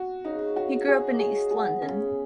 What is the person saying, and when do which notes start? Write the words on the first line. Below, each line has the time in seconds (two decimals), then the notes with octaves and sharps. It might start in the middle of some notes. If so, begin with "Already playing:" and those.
He grew up in East London.
Already playing: F#4
0.25 C#3 D#4
0.56 C#3 F#4
0.87 C#3 G#4
1.19 C#3 G#4
1.50 B3 G#4
1.82 C#3 C#4